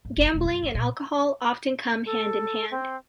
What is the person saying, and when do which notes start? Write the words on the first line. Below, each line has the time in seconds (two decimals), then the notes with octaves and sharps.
Gambling and alcohol often come hand in hand.
0.05 G1
0.17 F#1
0.34 E1
0.45 F#2
0.63 F#1
0.75 A#2
2.06 A4
2.71 C4